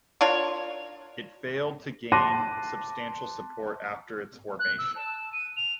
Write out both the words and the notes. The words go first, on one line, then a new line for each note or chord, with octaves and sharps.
It failed to gain substantial support after its formation.
D4 F4 A#4 C#5
A5 C6 D6 F#6 A#6 D#7
F#6
E6
A5
D#7
F7